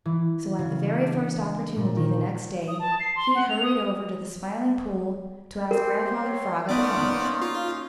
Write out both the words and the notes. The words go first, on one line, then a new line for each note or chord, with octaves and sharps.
So at the very first opportunity the next day, he hurried over to the Smiling Pool to ask Grandfather Frog about it.
E3
C#3
D4
A#2
D#3
D#6
A5
C7
C6
F#5
F7
D#6
C4 G4 A#4 C6
C#5
A#3 B3 C#4 D#4 D5 C6
F4